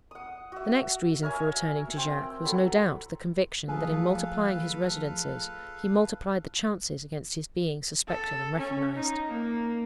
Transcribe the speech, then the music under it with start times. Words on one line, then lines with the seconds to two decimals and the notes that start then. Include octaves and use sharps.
The next reason for returning to Jacques was, no doubt, the conviction that, in multiplying his residences, he multiplied the chances against his being suspected and recognized.
0.11 F#5 D#6
0.52 F#4 E5
1.23 A#4 C#5 E5 G#5
1.96 C4 G5
2.45 F#3 A4 B5
3.68 F3 A3 F4 G#4 A4 B4 F5
8.08 A4
8.58 C#4
8.95 D#4
9.27 A#3